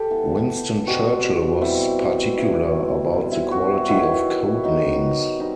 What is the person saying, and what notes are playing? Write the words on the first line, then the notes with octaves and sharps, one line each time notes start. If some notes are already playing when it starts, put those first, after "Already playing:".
Winston Churchill was particular about the quality of code names.
Already playing: G4 A4
E3 B3
B2 G3 C4 F#4
B2 G3 C4 E4
B2 G3 C4 E4
B2 G3 C4
E4
F#4
D#3 F#3 B3 E4
D#3 F#3 B3 D#4
G3 C4 D#4